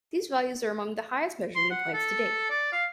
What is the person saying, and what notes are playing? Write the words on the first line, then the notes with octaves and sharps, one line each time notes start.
These values are among the highest measured in plants to date.
C6
F#5
A4
D5
F5